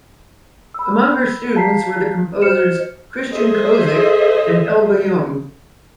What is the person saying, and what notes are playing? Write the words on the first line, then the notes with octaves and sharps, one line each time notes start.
Among her students were the composers Christian Kozik and Helge Jung.
B5 E6
F5 A5 A#5 B6 C7
F#4 C5 D#5 F6 C#7 E7
G#4 A4 C5 D#5 E5